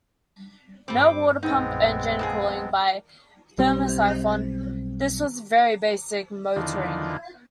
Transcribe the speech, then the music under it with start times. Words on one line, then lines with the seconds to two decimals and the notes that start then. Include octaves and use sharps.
No water pump, engine cooling by thermosyphon - this was very basic motoring.
0.88 G2 G3 C4 D6
1.43 A#1 F#2 G#3 B3 C4 D#4
2.19 F2 A#2 G#4
3.58 B1 G3 C4
6.56 E2 D3 D#3 F3